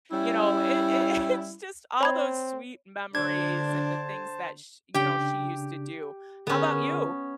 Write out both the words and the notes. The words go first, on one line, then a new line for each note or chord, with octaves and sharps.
you know, it it it's just all those sweet memories and the things that sh you know, she used to do. How 'bout you?
G3 C#4 E4
C4 C#5 B5 G#6
D3 D4 C5 A5 G#6
C#3 D4 G4 G5
D3 B3 C#4 G#4 A#4